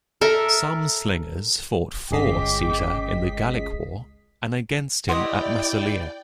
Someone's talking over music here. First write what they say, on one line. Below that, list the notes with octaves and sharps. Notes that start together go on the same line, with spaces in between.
Some slingers fought for Caesar in the Gallic War, and against him at Massalia.
A4 A#4 E5
G1 C#2 G#4 D#5 G5 D6 B6 C7
E4 G4 B4 D5 D#5 F#5 G5 C6